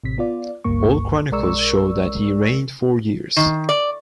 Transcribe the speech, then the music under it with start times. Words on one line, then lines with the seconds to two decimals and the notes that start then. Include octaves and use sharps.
All chronicles show that he reigned four years.
0.04 A1 C3 B6
0.18 B3 F4 D5
0.64 G1 C#2 G2 A#3 C#6
1.32 B1 G#3 A#4 D5 C#6 E6
3.36 D#3
3.69 D5